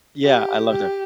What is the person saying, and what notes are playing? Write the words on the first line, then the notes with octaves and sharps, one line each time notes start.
yeah, I loved it.
G4
G4